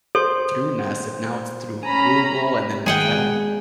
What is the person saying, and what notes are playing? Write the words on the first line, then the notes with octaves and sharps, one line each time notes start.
through Nest, eh, now it's through Google, and then, like, I don't
A4 C5 C6
C#4 G#5 A#5 B5
G#1 G#4 F#5 G5 D#7